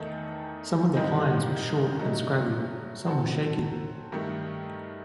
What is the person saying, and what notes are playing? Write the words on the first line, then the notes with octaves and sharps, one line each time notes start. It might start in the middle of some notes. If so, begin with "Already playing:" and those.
Some of the pines were short and scraggy, some were shaky.
Already playing: E2 D#3 A3 D#4 A4
G2 D#3 G3 C4 D#4
G2 F#3 A3 D#4
F#3 C4 F#4 A4
G2 D#3 A3